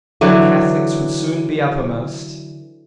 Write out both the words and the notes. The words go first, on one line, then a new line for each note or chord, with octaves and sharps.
The Catholics would soon be uppermost.
D3 E3 F#3